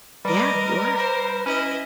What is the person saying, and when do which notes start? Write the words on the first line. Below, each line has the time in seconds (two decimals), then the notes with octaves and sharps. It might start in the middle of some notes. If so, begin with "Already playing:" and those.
Yeah, you are.
0.25 G3 A#4 B4 D#5 D6
0.98 C5
1.46 C#4 E4 D#5